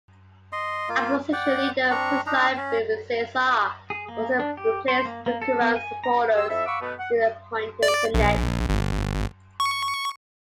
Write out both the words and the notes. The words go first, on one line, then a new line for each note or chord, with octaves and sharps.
Opposition Leader Persad-Bissessar also replaced Dookeran's supporters in the appointed Senate.
D#5 C6
A#3 F4
D5 F#5 G5
C4 D4 A#5 C#6
D4 D#4 A#5
C#4
G#4
A#3
D4
G4
C5
A#3
A#3
A4
B3
G#5
A#5
G4 D#5 C6 E6
F2 E4 A4 E5
F5 F#5 B5 C#6 D6 E6
B2 A3 B3
F#5
D5
A#1
G1
C#6